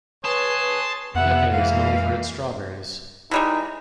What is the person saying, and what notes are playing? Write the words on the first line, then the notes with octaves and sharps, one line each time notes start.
Lepe is known for its strawberries.
B4 C#5 G#5 A5 C6 D#6
F2 C3 B3 E5 F#5
E3 G#3 A#3 E4 F5
E3 G3 G#3 D#4